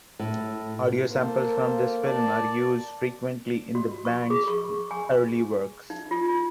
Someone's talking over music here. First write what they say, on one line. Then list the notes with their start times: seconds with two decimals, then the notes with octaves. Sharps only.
Audio samples from this film are used frequently in the band's early works.
0.19 A2
1.12 A#3 A4 C5
2.03 D5 A5
3.75 F#4
4.05 C#6
4.30 G#4
4.48 C#6
4.91 G#5
5.90 D#4
6.11 F4